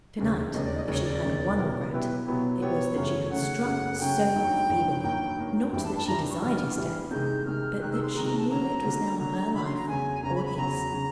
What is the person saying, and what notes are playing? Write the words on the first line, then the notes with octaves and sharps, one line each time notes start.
To-night--if she had one regret it was that she had struck so feebly: not that she desired his death, but that she knew it was now her life or his.
E1 D#2 C#3
E1 D#2 C#3 D#5
D5
D#5
E1 D#2 C#3 D5
C#5
D5
E1 D#2 C#3
B2 F#3 B3 E4 G4 A#4
B2 F#3 B3 E4 G4 B4
B4
B2 F#3 B3 E4 G4
B2 F#3 B3 E4 G4 C#5
F#2 C#3 F#3 A3 C#4
F#2 C#3 F#3 A3 C#4 F#5
F#2 C#3 F#3 A3 C#4
F#2 C#3 F#3 A3 C#4 G5
G2 D#3 F#3 A#3
G2 D#3 F#3 A#3
G2 D#3 F#3 A#3 G5
G2 D#3 F#3 A#3
G2 E3 G3 G5
A5
A5
G2 E3 G3 A#5
C#6
G2 E3 G3 F6
F6
F6
G2 E3 G3
C3 D#3 G#3 G6
C3 D#3 G#3 F6
C3 D#3 G#3 F#6
E6
C6
C3 D#3 G#3 A#5
A#5
A5
D3 F#3 A#3 A#5
D3 F#3 A#3
D3 F#3 A#3 A#5
D3 F#3 A#3 B5
C6
A#5
E2 C#3 F#3 G#5
E2 C#3 F#3 A#5
B5
B5
E2 C#3 F#3 A#5
C#3 F#3